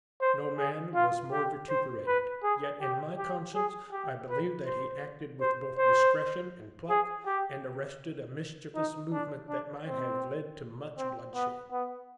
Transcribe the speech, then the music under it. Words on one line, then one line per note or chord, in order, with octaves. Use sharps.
No man was more vituperated; yet, in my conscience, I believe that he acted with both discretion and pluck, and arrested a mischievous movement that might have led to much bloodshed.
C5
G#4
F4
G4
C5
B4
G#4
G4
G4
G#4
G4
B4
C5
C5
C5
G#4
G4
D#4
D4
D4
C4
C4
B3
B3